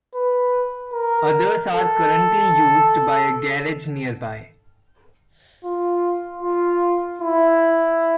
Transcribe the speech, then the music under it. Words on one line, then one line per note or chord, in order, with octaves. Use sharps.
Others are currently used by a garage nearby.
B4
A#4
A4
F4
F4
E4